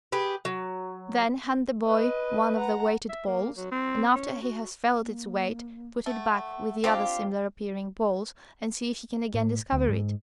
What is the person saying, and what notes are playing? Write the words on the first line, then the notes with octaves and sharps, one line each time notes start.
Then hand the boy one of the weighted balls, and after he has felt its weight put it back with the other similar-appearing balls and see if he can again discover it.
G4 G#4 B4
F#3
B4 D#5
F#5 A#5
E5
A#3
F#3
C4
C#4
F#4
A#3
A3 F#5
C4 D4 F4 G4 F5
A2
D2
G#2